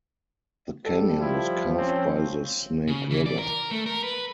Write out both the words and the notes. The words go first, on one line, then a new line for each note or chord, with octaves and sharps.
The canyon was carved by the Snake River.
G3 A4
F3 E4
C4 C#4
C#3
E3
D5
A#4
A3
A#4
B4